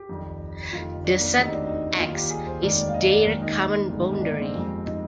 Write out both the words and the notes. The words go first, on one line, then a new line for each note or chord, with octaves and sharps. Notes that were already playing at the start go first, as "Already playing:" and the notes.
The set "X" is their common boundary.
Already playing: G4
F2 D#3 G3
F1 F2 D#3 F4
D4
A#3
D2 C3 D#3 G3 C4
D#4
D4
D#4
D#4
D#2 D#3 G3 F4
G4
G#4
C5
F1 D#2 D#3 G#3 D5
D5
F5
D#5
D5
D#2 D#3 G#3 A#4
D#4
G1 G2 D#3 G#3
D#4
D4
A#3
C4
F2 C3 F3 G#3
D#4